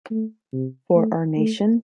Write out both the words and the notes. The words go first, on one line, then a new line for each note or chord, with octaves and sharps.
For our nation?
A3
C3
A3
A3